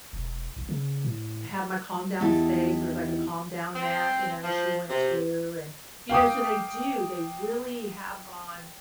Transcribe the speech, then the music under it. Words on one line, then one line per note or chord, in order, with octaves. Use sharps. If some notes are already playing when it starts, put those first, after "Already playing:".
have my calm down space." There's like a calm down mat, you know, she went to. And, you know, so they do, they really have gone
E1
A1
C#3
A2
E2 D#4 E4 G4 A5
C4
F3
C3
F5 G5 D6 D#6